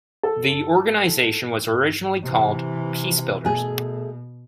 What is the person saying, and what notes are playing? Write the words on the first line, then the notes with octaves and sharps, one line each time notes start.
The organization was originally called "Peacebuilders".
A4
C3 E3
B2 A3 G#4